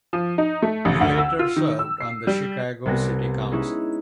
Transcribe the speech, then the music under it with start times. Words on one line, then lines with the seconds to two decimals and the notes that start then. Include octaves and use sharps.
He later served on the Chicago City Council.
0.13 F3
0.38 D#4
0.62 A3
0.85 A1
1.01 D2
1.18 E6
1.39 F4
1.56 D#3
1.79 E6
2.00 C7
2.27 G3
2.85 C2 C3 B3 G#5 A#6
3.52 G#3 C#4 D#4 E4 G#4